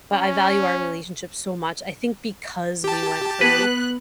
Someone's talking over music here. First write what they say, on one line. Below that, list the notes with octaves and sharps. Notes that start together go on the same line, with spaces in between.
But I value our relationship so much, I think because we went through
C#4
G4 A5
B3 B4 F#6